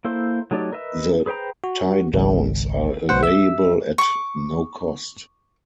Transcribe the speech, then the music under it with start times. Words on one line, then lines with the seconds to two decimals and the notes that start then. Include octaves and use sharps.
The tie downs are available at no cost.
0.05 A#3 E4 A4 C5 C6
0.51 F#3 A3 D#4 G4 D5
0.73 A#4 B4 D#5 E5
1.26 G#4 B4 C5 G5 A#5
1.64 F#4
2.14 G#1 C#2
3.09 B1 B2 B3 C5 F#5
3.23 E5 E6
3.98 C#6 D6